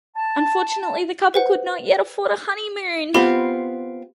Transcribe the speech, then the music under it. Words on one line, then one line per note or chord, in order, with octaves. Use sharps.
Unfortunately, the couple could not yet afford a honey-moon.
A5
B4 C5 F#5
B3 C4 F4 G4 B5 G7